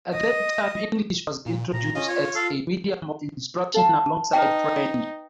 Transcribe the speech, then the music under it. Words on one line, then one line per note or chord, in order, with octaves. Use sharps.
At that time English was introduced as a medium of instruction alongside French.
D#5
A#2
A#2 A#5
C#4 F4 D#5
C#5
A4 F5
A4 F5 A5
D#4 B4 G5